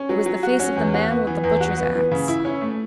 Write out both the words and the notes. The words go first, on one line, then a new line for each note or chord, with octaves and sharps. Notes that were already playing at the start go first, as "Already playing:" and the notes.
It was the face of the man with the butcher's axe.
Already playing: C#4
F#3
F#3
F#4
C#4
E2
F#4
B3
E3
E2
F#4
B3
E3
C#3
E4
C#4
A3